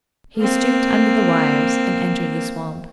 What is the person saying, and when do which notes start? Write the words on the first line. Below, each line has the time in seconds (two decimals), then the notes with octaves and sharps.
He stooped under the wires and entered the swamp.
0.37 A#3 C4